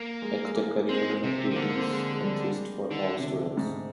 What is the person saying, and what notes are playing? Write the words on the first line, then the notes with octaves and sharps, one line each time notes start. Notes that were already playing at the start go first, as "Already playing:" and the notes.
Extracurricular activities exist for all students.
Already playing: A#3
G#3
G#3
A#3
G#3 C4
C3 C4
C4
D#3
D3 A#3
C4
A#3
G#3
G#3
G3
D3 D#3
C3
D3
G#2